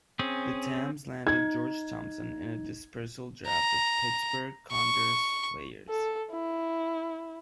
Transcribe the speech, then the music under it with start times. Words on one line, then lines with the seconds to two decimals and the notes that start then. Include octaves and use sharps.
The Tams landed George Thompson in a dispersal draft of Pittsburgh Condors players.
0.19 C4 C#4 G#4
1.27 D#4 G#6
3.47 A#5
4.72 C#6
5.89 A4
6.31 E4